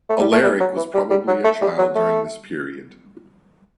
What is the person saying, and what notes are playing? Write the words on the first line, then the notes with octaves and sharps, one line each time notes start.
Alaric was probably a child during this period.
A3
G3
A3
G3
F#3
E3
G3
G3
F#3
A3
G3
F#3
A3